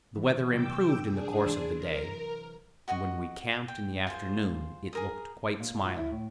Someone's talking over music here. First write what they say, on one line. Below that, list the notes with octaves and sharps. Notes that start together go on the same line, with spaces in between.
The weather improved in the course of the day, and when we camped in the afternoon it looked quite smiling.
E3
C3 F#3 G5 D6 E6
D4 G#4
E3 C5 E6
A#4
F#4 D#5 F#5 C#6
G5
F4 G#4 C5
G#4 A#4 D#6
A#2
F4
E4
A2